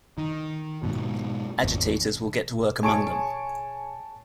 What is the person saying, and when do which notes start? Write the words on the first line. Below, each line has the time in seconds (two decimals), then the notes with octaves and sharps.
Agitators will get to work among them.
0.18 D#3
0.83 G#2 B2
1.63 G#1 E2
2.83 G#4 C#5 G#5 A5 C#6 D7